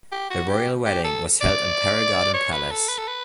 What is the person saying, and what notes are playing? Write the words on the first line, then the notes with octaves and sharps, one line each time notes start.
The royal wedding was held in Paro Garden Palace.
G4
F#4
G4
G4
A4
D5
C#5
B4
A4
B4
A4
B4